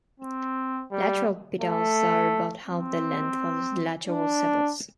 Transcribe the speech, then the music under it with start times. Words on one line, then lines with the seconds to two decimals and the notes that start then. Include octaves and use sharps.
Lateral petals are about half the length of the lateral sepals.
0.20 C4
0.91 G3
1.61 A3
2.67 C4
4.08 D4